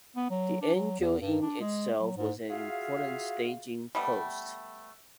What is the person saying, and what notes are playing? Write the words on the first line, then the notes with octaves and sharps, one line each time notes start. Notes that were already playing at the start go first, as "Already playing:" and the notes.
The Angel Inn itself was an important staging post.
B3
F#3
D4
F#3
E2
G2
D4
G#3
F#3
G#2
F4 F#4 G#4 E5 F5
G3 A3 B3